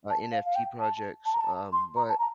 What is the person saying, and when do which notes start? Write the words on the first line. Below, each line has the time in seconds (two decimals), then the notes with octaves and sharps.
uh, NFT projects, um, but
0.10 A5
0.32 F5
0.45 F5
0.55 G5
0.80 A5
1.25 A5
1.34 A#5
1.41 A5
1.73 C6
1.96 A#5
2.09 A5
2.19 A#5